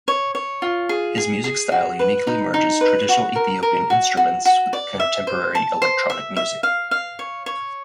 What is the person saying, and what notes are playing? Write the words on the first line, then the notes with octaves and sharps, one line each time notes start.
His music style uniquely merges traditional Ethiopian instruments with contemporary electronic music.
C#5
C#5
F4
G#4
G#4
G#4
F#4
B4
D#4
D#4
B4
F#4
A#4
A#4
F#4
F#4
F#4
D5
E5
C5
A5
C5
E5
E5
F5
F5
C#5
C#5